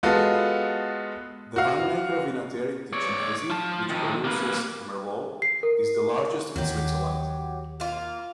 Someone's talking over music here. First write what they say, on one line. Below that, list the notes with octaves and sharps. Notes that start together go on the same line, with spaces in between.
The winemaker Vinattieri Ticinesi, which produces merlot, is the largest in Switzerland.
G#3 B3 F4 F#4 A4
F#4 F5
C#5 D5
F4 A5
D#3 F3
A#3 B4
C7
A#4
D#2 D#3 F#3 G4
A#3 F4